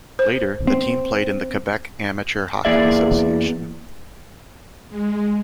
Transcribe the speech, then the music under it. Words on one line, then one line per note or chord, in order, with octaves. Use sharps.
Later the team played in the Quebec Amateur Hockey Association.
C5
C4
E2 A#3 E4 G#4 D5 E5
G#3